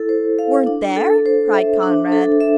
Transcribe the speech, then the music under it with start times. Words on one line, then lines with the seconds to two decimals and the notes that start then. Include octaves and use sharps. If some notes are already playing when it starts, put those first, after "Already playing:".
"Weren't there?" cried Conrad.
Already playing: E4 A4
0.09 C5
0.39 F5
0.66 D4
0.96 A4
1.26 C5
1.53 E5
1.83 D4
2.12 A4
2.40 E5